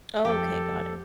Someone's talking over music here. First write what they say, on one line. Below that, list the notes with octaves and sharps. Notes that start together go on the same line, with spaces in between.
Okay, got it.
F2 G4 A4